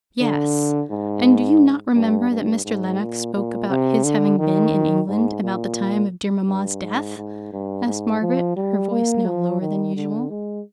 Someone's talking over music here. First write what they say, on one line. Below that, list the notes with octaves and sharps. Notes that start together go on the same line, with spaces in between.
'Yes--and do you not remember that Mr. Lennox spoke about his having been in England about the time of dear mamma's death?' asked Margaret, her voice now lower than usual.
D3
G#2
G2
G2
G#2
A#2
A#2
C3
D3
D#3
G#2
A#2
G2
G#2
G#2
G2
G#2
F3
G3
A#3
F3
D#3
D3
G#3